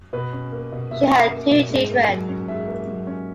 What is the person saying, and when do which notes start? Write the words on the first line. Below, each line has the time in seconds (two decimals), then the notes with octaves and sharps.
She had two children.
0.13 B2 B4
0.33 C#4
0.52 A#3
0.72 B2
0.91 B2 E5
1.11 C#4
1.31 A#3
1.50 B2
1.69 G#2
1.90 A#3
2.09 F#3
2.29 C#4
2.48 G#2 E5
2.67 A#3
2.87 F#3
3.07 C#4